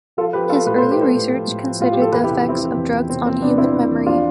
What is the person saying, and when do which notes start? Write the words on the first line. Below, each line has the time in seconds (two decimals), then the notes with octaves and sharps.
His early research considered the effects of drugs on human memory.
0.17 F3 F4 A4
0.33 F3 G4 B4
0.49 F3 F4 A4
0.66 A2 G4 B4
0.78 A4 C5
0.83 A2
0.91 G4 B4
0.99 F3 A4 C5
1.14 A2
1.31 F3
1.47 A2
1.64 F3
1.80 A2 F4
1.93 F3 G4
2.01 A4
2.12 E2 G4 B4
2.24 E4 G4
2.29 C3
2.44 F3 C4 E4
2.61 F3
2.77 E2
2.93 F3
3.10 C3 C4
3.26 F3 C4
3.41 C3 B3 D4
3.58 C3 C4 E4
3.74 C3
3.91 E2
4.06 F3 D4 F4